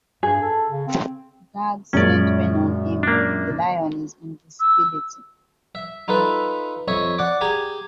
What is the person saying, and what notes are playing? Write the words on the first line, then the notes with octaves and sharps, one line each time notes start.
Gags centering on him, rely on his invisibility.
G2 G#4
A4
C#3
C4
F#2 A#2 G#3 C#4 D5
A#3 D4
E6
E5
D#4 F4 A4 B4 E5
F2 C#5 D#5 E5
D5 F#5 D6
G4 G#4 G#5 A#5